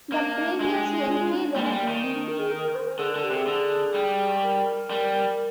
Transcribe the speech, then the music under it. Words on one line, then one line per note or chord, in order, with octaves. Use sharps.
The previous entry referred to Youth allowance and Parenting Payment.
A#3 D4
G#3
F4
F4
D#4
D4
G3 A#3
G#3
G3
A#3
D#3
C4
D4
A#4
G#4
A#4
A#4
C5
A#4
D3 G#4
A#4
D3
G4
C3 G#4
D3
G3
A#4
G3